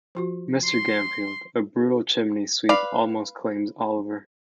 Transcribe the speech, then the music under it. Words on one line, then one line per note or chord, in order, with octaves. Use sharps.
Mr. Gamfield, a brutal chimney sweep, almost claims Oliver.
F3 F4 F#4
C6
B4 D5 F5